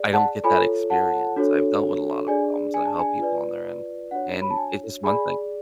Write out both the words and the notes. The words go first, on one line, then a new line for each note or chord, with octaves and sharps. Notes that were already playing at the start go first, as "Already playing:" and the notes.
I don't get that experience. I've dealt with a lotta problems, and I help people on their end. And it's one thing
Already playing: G#4 D5
F#5 A5
F4 A4 C#5 G#5 B5
F#5 A5
D4 F#4 A4 C#5
D4 G#4 D5 G#5
G#5
A5
G#5
F4 B4 D5
D4 F#4 C#5 F#5
B5
A5
G#5
G#4 D5 G#5 B5